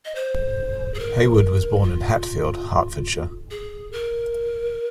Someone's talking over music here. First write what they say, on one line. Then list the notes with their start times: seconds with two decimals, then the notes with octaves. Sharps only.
Haywood was born in Hatfield, Hertfordshire.
0.05 D#5
0.15 C5
0.94 G#4
0.99 A#4
1.83 F4
3.51 G#4
3.92 A#4